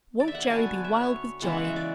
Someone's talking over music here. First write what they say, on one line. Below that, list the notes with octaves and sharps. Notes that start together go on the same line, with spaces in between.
Won't Gerry be wild with joy?
D5
E5
F#5
G#5
D3 F#3 B3 A5
G#5
D5
E5
C#5
C#3 E3 G#3 B3
F#5
E5
D5